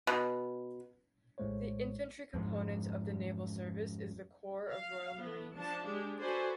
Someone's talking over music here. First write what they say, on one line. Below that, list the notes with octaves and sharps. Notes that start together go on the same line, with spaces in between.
The infantry component of the Naval Service is the Corps of Royal Marines.
B2
A#1 A2 G#3 A3 C5 C#5
F2 G#2
F5
A3 B3
F3 D4 A5
G#3 D4 G4
F#4 A4 B4 C5 D5 G#5